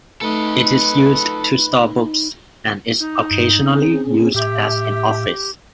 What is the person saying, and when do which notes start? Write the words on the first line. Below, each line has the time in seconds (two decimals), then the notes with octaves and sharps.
It is used to store books, and is occasionally used as an office.
0.21 A3 D#4 A4 B4 D#5
3.00 D#4
3.31 G2
3.62 C4 C#4 G#4
4.34 A2 G4 E5